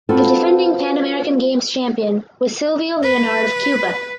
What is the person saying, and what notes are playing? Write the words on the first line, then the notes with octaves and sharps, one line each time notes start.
The defending Pan American Games champion was Silvio Leonard of Cuba.
C4 F4 F#4 A4 B4
B4